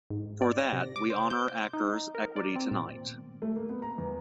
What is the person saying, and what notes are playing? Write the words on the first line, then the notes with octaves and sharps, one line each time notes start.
For that, we honor Actors' Equity tonight.
G#2
D5
A#6
C3
D6
C5
G6
D#4
A#4
D5
C4
A#2
A3
A#3
B3
A#5
E2